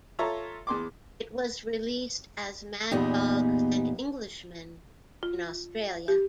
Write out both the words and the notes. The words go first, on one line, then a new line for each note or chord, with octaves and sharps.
It was released as "Mad Dogs and Englishmen" in Australia.
F4 A4 C#5 E5 A#5
E2 C6 D6
E2 A#2 B3 D#4 G4 G#4
F4
G4